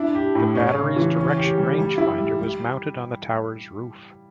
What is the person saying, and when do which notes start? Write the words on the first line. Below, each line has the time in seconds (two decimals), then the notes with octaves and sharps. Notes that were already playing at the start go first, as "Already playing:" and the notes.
The battery's Direction Range Finder was mounted on the tower's roof.
Already playing: D4 E4
0.15 G4
0.35 A2
0.55 C#4
0.76 C#3
0.96 E3
1.16 C#4
1.37 G4
1.58 G3
1.78 G3
1.98 E4
2.18 G3
2.39 G3